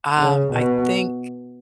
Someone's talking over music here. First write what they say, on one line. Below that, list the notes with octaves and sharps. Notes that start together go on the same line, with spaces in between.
i um, I think
C#3
B2